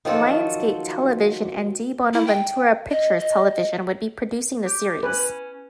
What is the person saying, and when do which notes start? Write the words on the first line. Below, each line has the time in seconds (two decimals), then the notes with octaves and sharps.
Lionsgate Television and Di Bonaventura Pictures Television would be producing the series.
0.05 D#3 F3 F#3 F4 F#4 A4
2.13 E4
2.27 G5
2.91 D#5
3.19 D#5
4.65 G4
5.03 C#4 B4